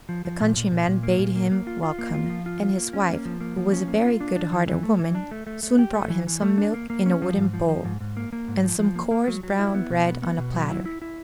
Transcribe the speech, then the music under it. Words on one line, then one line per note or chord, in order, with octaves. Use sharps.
The countryman bade him welcome, and his wife, who was a very good-hearted woman, soon brought him some milk in a wooden bowl, and some coarse brown bread on a platter.
F3
F3
A#2
A#2
A#2
A#2
A#3
A#2
A#3
A#3
F4
F4
A#3
F4
F3
F4
F4
A#3
C#4
A#3
F3
A#3
F3
C#4
A#3
F4
D4
D4
E3
E3
A3
E3
D4
A3
A3
A3
G4
A3
E3
E3
A3
D4
A#3
A#3
C#4
F3
G#2
F3
F3
G#2
G#2
A#3
A#3
G#2
F3
F3
A#3
A#3
F#3
F#3
E4
B3
B2
B3
B3
B2
F#3
E4
E4
E4